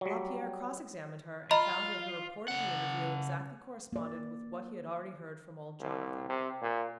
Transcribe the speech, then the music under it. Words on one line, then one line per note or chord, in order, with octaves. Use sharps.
Lapierre cross examined her, and found that her report of the interview exactly corresponded with what he had already heard from old Jonathan.
F#3 G3
F4 D#5 A#5 B5
C#3 F#5
A#3 D5
C2
C3
A#2